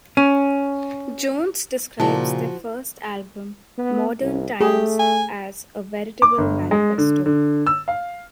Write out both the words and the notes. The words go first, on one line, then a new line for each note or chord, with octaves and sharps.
Jones describes their first album "Modern Times" as "a veritable manifesto".
C#4
A#2 C#3 F3 E4 F#4 A5
B3
C2
A3 G4 G#4
G#5
D6
G1
G#3
D3
D3
E6
F5